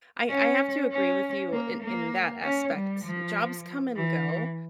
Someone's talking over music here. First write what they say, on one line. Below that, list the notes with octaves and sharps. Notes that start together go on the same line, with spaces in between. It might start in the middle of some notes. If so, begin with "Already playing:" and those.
I I have to agree with you in in that aspect. Jobs come and go
C#4
C#4
A#3
A#3
C#4
G3
F3
E3